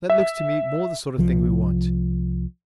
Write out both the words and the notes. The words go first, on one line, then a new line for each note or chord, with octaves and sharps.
That looks to me more the sort of thing we want.
E5
C2 F3